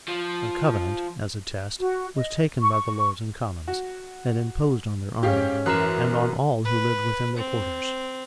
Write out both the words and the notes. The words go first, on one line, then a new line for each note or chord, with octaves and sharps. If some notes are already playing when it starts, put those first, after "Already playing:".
A covenant, as a test, was taken by the lords and commons, and imposed on their army, and on all who lived within their quarters.
F3
F#4
D#5
C#6
F#4
G#2 C#4 G4 F5
F#2 E3 A#4 A#5 F#6
B4
C4